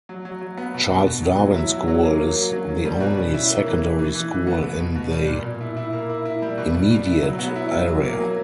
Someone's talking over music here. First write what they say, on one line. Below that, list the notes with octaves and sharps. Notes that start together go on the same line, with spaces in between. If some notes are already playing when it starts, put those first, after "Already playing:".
Charles Darwin School is the only secondary school in the immediate area.
F#3
F#3
F#3
B3
B2
B2
B2
F#3
F#3
E4
F#3
F#3
A#3
A#3
F#3
F#3
C#4
G3
B2
C#4
E4
A#3
E3
A#3
E3
E3
E3
B3
B2
B2
B2
G3
A#2
A#2
E4
E4
A#3
E4
E4
G3
B2
G3
B2
E4
F#3
B3
E4
F#3
F#3
A#3
F#3